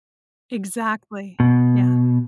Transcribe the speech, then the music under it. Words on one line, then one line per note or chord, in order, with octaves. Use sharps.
Exactly. Yeah.
B2